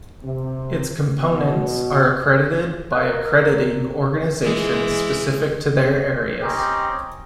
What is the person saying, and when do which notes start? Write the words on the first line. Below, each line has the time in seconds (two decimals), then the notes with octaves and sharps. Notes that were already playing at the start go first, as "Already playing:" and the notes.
Its components are accredited by accrediting organizations specific to their areas.
0.23 C3
1.18 B2
2.92 A#4 F5 F#6
4.43 E3 G#3
6.43 C4 C#4 D#4 G4